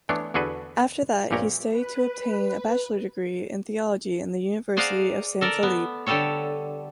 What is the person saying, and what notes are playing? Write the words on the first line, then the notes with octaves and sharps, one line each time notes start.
After that, he studied to obtain a bachelor degree in theology in the University of San Felipe.
E3 A3 B3 D4 C#5
E2 D3 F#4 G#4 A4 B4
A#1 G2 A#2 G4 C#5 A#5
B4
G#4 C5 D5 F5 F#5 A#5
A4 A#4 D5
B3
D3 G3 G4 A4 C#5